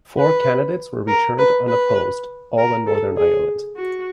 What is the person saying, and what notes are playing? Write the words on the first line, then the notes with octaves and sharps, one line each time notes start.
Four candidates were returned unopposed, all in Northern Ireland.
B4
A#4
B4
B4
A#4
A4
G#4
F#4